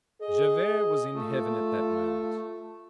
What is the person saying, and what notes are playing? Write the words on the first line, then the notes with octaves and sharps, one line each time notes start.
Javert was in heaven at that moment.
G#4 D#5
A3 F4